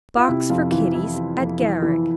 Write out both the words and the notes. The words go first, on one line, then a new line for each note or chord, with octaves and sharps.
'Box for kiddies at Garrick.
F4
C3 E4
F2 F4
E3 F4
C3 E4
E3
F2
E3
E3